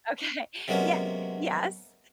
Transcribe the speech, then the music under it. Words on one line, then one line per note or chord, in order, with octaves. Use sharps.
Okay. Yeah Yes.
C3 F#3 G#3 A#3 B3 C#4